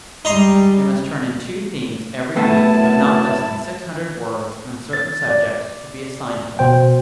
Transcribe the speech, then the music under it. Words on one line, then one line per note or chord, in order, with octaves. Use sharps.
They must turn in two themes every week of not less than six hundred words on certain subjects to be assigned to them.
G3 G#3 D#4 A#5 C6
F#2 B2 A3 B3 E4 A5
A6
D5
B2 C5 G5